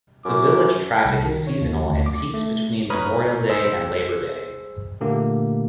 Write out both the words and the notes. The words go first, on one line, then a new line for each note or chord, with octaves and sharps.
The village traffic is seasonal and peaks between Memorial Day and Labor Day.
F#2 D6
C2
D#3
C#5
D#2
D2
D6
A3
B4 C#5 A#5 B5 D#6 F6
G#4 C5 E6
A#2 D3 A3 A#3 G4